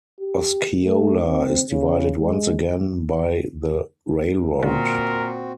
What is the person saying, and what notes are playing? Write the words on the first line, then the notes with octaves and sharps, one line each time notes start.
Osceola is divided once again by the railroad.
G4
A3
C4
C#3
G#3
A#2 D3 C4 F#4 A#4